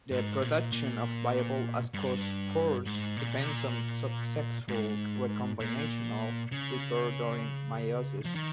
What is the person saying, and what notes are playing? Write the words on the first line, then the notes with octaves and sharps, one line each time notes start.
The production of viable ascospores depends on successful recombinational repair during meiosis.
G#2
A#2
A#2
G2
G#2
A#2
C3
A#2
G#2
A#2
C#3
F3
D#3